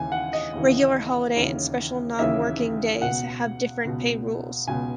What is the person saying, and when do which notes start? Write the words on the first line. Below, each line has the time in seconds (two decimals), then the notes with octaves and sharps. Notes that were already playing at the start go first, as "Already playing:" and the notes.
Regular holiday and special non-working day have different pay rules.
Already playing: D#2 C#3 E3 G#5
0.12 F#5
0.33 D#5
0.53 D#2 C#3 E3
1.36 D#2 C#3 E3
2.19 D#2 C#3 E3 E5
3.02 C#2 B2 F#5
3.85 C#2 B2
4.67 C#2 B2 G#5